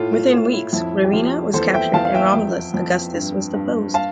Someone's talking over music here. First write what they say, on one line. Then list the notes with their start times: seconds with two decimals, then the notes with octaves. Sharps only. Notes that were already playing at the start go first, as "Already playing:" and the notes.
Within weeks, Ravenna was captured and Romulus Augustus was deposed.
Already playing: A2 F4 A4
0.13 F4 A4
0.33 A2 F4
0.53 E4
0.73 F2 E4
1.05 G4
1.13 F2 F4
1.53 E2 A4 C5
1.74 E5 G5
1.93 E2 F5 A5
2.05 F5
2.14 E5 G5
2.34 F2
2.74 F2
3.14 G2
3.54 G2
3.94 F5 A5